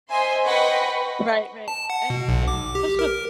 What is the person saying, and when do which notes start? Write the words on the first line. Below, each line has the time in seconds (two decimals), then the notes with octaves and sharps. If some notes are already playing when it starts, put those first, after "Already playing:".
Right right, and and just with
0.10 C5 D#5 E5 G#5 C6
0.44 B4 D#5 F#5 G5 B5 C#6
1.68 A5
1.90 F#5
2.10 B2
2.29 B1
2.48 D6
2.75 G4
2.99 A#4